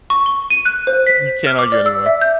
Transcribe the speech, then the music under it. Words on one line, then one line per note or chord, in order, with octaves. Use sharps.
You can't argue anymore."
C#6
G7
D#7
F#6
C5
B6
F6
D6
D5
E6
E5
G6